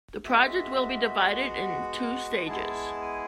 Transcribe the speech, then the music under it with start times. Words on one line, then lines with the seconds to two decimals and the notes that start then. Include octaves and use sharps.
The project will be divided in two stages.
0.25 G#3 B3 F#4 E5
1.36 F#5
2.46 G#3 B3 E4 G#4 A5
3.02 G#5